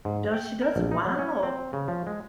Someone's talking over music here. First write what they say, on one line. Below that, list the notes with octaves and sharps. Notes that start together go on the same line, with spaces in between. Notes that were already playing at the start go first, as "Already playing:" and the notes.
Does she doesn't? Wow.
G#2
G5
A#4
A#1
D#4
F#3
C#4
C4
C#3
F3
G#3